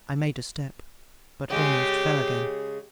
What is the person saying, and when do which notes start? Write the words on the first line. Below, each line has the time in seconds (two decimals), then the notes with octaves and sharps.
I made a step, but almost fell again.
1.50 C#3 G#3 G4